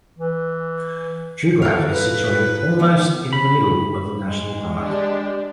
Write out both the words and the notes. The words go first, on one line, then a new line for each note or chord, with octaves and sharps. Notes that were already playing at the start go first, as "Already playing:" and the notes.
Triglav is situated almost in the middle of the national park.
E3
A4 A#4 F5
B4
G3 B3 D#4
B5
G#3
D4 G4